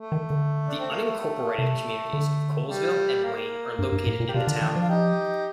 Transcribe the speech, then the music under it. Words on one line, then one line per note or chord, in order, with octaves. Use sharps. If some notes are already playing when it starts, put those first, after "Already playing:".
The unincorporated communities of Kohlsville and Wayne are located in the town.
Already playing: A3
D#3
D3
D4
C4
A#3
A3
C3 A3
D3
G3
A#3
G2
G2
A2
A#2
G4
C3 D4 F4
D3
D#3
F3
F4
D#4 G4